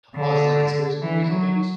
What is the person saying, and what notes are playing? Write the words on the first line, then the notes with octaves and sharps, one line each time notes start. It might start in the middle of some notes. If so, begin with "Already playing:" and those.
Oh, it's, like, conspiracy theories and things?
D3
E3
F#3